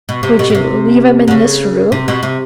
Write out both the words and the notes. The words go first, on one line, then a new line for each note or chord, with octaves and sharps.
"Would you leave him in this room?"
B2
C3
B2
B2
C3
D3
C#3
C3
B2
C3